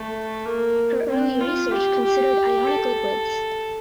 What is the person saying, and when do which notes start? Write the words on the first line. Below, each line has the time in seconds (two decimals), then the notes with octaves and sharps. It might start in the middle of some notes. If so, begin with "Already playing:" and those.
Her early research considered ionic liquids.
Already playing: A3
0.45 A#3
1.08 C4
1.41 F4
1.71 G4
2.04 G4
2.67 A4